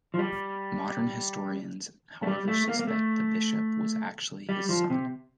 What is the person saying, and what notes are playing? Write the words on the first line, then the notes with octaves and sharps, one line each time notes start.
Modern historians however suspect the bishop was actually his son.
F3
G3
A3
G3
A3
A#3
A#3
A3
G3
F3
C3